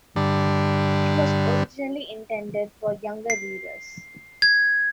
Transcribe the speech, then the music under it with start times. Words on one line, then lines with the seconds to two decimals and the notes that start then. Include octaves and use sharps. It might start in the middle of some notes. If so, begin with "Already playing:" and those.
It was originally intended for younger readers.
0.16 G2 D3
3.30 C7
4.42 G#6